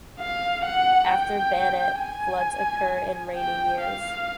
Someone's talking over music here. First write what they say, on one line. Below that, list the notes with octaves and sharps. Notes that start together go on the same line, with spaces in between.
After Banat, floods occur in rainy years.
F5
F#5
G5
G#5
G5
F5